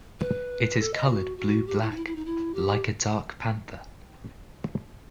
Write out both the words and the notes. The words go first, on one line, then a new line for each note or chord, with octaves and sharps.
It is colored blue-black, like a dark panther.
B4
A4
D#5
F#4
F#4
G4
E4
D#4
E4
E4
D#4
E4
G4